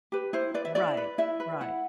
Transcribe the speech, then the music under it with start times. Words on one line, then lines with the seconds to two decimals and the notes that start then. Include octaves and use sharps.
Right. Right.
0.12 G4 B4
0.33 E4 C5
0.54 B4 D5
0.65 E5
0.75 E4 D5
0.97 B4
1.18 E4 E5
1.40 B4
1.61 E4 F#5